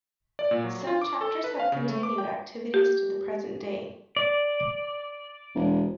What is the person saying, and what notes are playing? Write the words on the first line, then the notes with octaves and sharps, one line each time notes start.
Some chapters have continued activities to the present day.
D5
A#2
F#3
F4
D6
A4
B4
F5
C#3
A3
D6
G5
G4
D5
E1